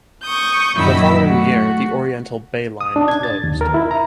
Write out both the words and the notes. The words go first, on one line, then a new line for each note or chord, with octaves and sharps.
The following year the Oriental Bay line closed.
C#6 D#6 G6
F#2 A#2 D#3 E4 B5 E6
A3 F#4
D#6
D4
G#6
A6
D#2
A#4
E4
A#5